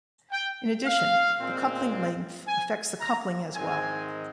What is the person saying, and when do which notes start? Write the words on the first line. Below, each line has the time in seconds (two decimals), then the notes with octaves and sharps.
In addition, the coupling length affects the coupling as well.
0.31 G5
0.85 F5
1.39 A#2 G#3 C4
2.47 G#5
3.01 A#5
3.55 G#2 D#3 G#3 C4 G#5